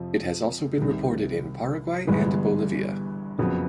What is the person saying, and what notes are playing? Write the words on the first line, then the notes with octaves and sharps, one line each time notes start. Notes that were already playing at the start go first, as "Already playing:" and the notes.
It has also been reported in Paraguay and Bolivia.
Already playing: F2 C3 F3
C2 C3 D#3
G1 G2 E3 G#3 B3
F#1 F2 C#3 F#3 B3